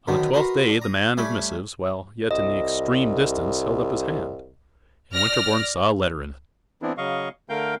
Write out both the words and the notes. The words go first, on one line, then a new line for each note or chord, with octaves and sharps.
On the twelfth day the man of missives, while yet in the extreme distance, held up his hand, and Winterborne saw a letter in it.
F#2 B2 D3 D#3 D4
F#4 A#4 B4 D#5 F#5 C6
D4
A#5 D#6
G3 A3 C#4 G#4 D5
C2 D#5
D5 F6 A#6
E3 B3 C4 D4 E4
C#3 F#3 D#5 F5 C#6
D3 A3 A#4 F5 G5 G6